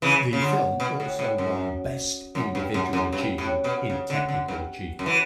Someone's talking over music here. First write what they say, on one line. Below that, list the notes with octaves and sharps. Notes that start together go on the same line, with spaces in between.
The film also won "Best Individual Achievement" in technical achievement.
C#3 E3
C#3
D3
B2
A2
A2
F#2
F#2
G2
F#2
F#2
G2
A2
B2
C#3
D3
D3
G2
F#2
E3